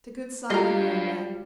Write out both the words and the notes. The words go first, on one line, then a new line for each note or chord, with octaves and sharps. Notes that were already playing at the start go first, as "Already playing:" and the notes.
It's a good sign in a young man.
G2 G3 G#3 F4 F#4 D#5 F5 A#5